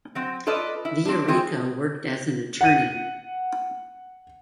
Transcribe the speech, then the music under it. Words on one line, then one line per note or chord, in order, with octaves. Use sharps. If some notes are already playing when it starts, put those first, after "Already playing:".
Villarica worked as an attorney.
F#3 C4
F4 A4 B4 D5 D#5
E4
C4 D4
A3 C4 G#4
F#5 D#7